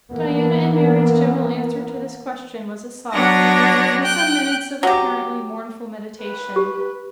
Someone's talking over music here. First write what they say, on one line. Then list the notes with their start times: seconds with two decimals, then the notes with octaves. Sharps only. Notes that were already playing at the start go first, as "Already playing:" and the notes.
Diana and Mary's general answer to this question was a sigh, and some minutes of apparently mournful meditation.
0.11 E3 A#3 B3
3.12 F#3 B3 D4 C#5 A#6
4.02 G5 F#6
4.83 F#3 G4
6.22 B4
6.56 G4